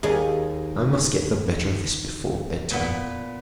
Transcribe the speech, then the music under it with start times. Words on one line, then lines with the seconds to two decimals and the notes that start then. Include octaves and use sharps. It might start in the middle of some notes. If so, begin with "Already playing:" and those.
I must get the better of this before bed-time.
0.03 D#2 G#4
2.71 A#2 B3